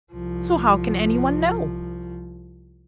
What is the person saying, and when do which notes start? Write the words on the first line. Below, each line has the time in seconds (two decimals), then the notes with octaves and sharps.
So how can any one know?
0.13 C2 F3